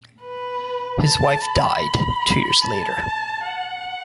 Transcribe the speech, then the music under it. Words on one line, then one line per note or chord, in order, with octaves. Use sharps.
His wife died two years later.
B4
A5
B5
A5
F#5